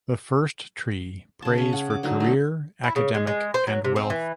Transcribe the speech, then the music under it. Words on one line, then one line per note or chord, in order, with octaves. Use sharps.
The first tree prays for career, academic and wealth.
C#3 A5
C#4
F#5
D6
D3 F#3 D#4
A3 A4
E4
C#3
G#3
G#3
C5
F#3
C3
C4
E3